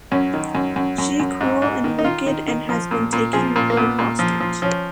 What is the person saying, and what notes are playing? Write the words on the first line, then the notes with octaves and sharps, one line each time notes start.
She cruel and wicked and has been taking Rahil hostage.
F#2 C#4
D#3
F#2
F#2
F#2
F#2
G#2
G#2
D#3
D#4
D#3 F4
D#3
D#3
F3
A#2
A#2
F3 G#4
A#2
A#3
A#2 B3
A#2
F3
F3
F3 C#4